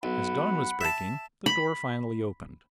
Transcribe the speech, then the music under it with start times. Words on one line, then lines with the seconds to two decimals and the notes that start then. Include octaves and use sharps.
As dawn was breaking, the door finally opened.
0.03 B1 F#5 B5
0.81 E5 A5
1.46 B5